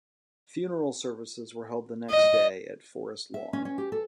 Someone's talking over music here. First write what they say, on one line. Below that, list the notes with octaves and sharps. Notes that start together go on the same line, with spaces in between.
Funeral services were held the next day at Forest Lawn.
D#5
E5
C#4
C#4
G4
A4